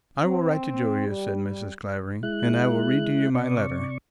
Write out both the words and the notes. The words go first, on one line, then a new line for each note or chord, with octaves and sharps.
"I will write to Julia," said Mrs. Clavering; "and I will read to you my letter."
C4
G3
G#3 E4 F#6
C3 D5 C#6